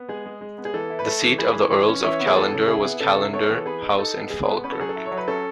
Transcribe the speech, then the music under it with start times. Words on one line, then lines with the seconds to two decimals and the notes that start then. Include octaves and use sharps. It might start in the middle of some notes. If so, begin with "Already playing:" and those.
The seat of the Earls of Callendar was Callendar House in Falkirk.
Already playing: B3
0.08 G#3 G#4
0.26 G#3
0.41 G#3
0.58 B3
0.65 G#4
0.74 E3 A4
0.90 E4
0.99 B4
1.06 A3 A4
1.22 E3
1.38 E3 G#4 B4
1.56 E3
1.71 E3
1.88 C#4
2.03 E3 C#5 E5
2.20 B3
2.26 G#4
2.36 E3 A4
2.53 C#3
2.68 E4 G#4
2.84 B3
3.00 C#3 A4
3.17 E4
3.33 B3 A4 C#5
3.50 E3 G#4
3.58 A4
3.66 B3 G#4 B4
3.82 D#4
3.99 D#4 A4
4.15 B3
4.30 G#3 G#4
4.47 B3
4.64 C#4 B4
4.72 A4
4.80 F#3 G#4
4.89 A4
4.96 E4
5.06 C#5
5.12 F#3
5.17 B4
5.27 C#4 A4